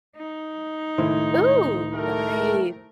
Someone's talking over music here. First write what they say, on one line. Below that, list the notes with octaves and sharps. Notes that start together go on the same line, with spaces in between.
Ooh, nice.
D#4
C#2 A2 D#3 E4 C5
A3 G4 A#4